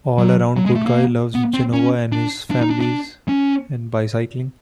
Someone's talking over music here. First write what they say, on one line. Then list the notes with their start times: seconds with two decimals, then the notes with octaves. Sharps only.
An all around good guy, loves Jehovah, his family and bicycling.
0.18 F#3
0.57 F#3
0.66 G#3
0.76 A3
0.86 A#3
1.35 B3
1.54 C4
1.73 C#4
2.12 D4
2.51 D4
2.61 D#4
2.70 D4
2.81 D4
3.29 C#4